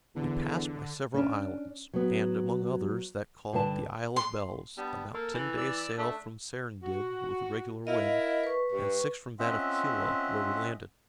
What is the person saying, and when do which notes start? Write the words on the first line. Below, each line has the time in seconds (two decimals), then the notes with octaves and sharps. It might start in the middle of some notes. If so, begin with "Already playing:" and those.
We passed by several islands, and, among others, that called the Isle of Bells, about ten days' sail from Serendib with a regular wind, and six from that of Kela, where we landed.
0.16 E2 D3
1.14 C#4 D4
1.94 F#3 B3
3.53 G2 D3 B4 A5
4.16 C6
4.77 G3 B3 D4
5.14 A#3 A4
5.34 E3
5.57 D5 E6
5.98 A3 D4
6.83 F#4
7.87 E4 A#4 D#5 F5
8.44 B4 C#6
8.72 G2
9.39 C4 C#4 F4 D#5 E5 F#5